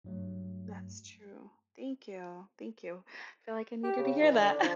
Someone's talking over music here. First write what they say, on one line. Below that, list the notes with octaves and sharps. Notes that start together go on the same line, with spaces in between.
That's true. Thank you, thank you. I feel like I needed to hear that.
G2 F#3 A3
G4
C#3
E3
D3
D4
F3